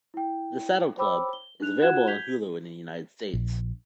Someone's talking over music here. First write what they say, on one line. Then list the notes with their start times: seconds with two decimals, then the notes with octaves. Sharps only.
"The Saddle Club" is available on Hulu in the United States.
0.14 E4 G5
0.97 C5 C#5 G5 B5 D6 E6
1.33 G7
1.60 D4 D#4 F#6 F7
1.81 F4 F#4 F#5 F#6 G#6 E7
2.07 G6 G#6 B6 F7 G7
3.33 A#1